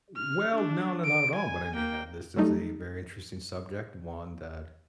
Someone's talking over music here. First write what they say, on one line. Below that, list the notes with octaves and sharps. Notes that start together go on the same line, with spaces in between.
Well, no, no, not at all. But I mean, uh, this is a very interesting subject. One that
F6
D4
D7
G#5
A#3 G5
F#3 G3 A3 D#4